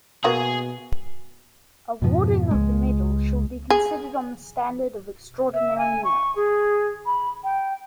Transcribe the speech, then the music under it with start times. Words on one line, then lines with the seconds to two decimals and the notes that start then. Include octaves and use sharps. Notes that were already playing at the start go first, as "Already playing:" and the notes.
Awarding of the medal shall be considered on the standard of extraordinary merit.
0.24 B2 F#3 A#3 B3 G#4
2.02 F2 G#2 B2 F3
2.51 C#2 G#3
3.70 G#4
5.54 E5
5.78 G#5
6.04 C#6
6.36 G#4
7.06 B5
7.44 G5